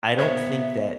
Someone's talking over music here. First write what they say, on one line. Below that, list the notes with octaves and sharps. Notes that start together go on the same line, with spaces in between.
I don't think that
A#2 B3 C5 C#5 E5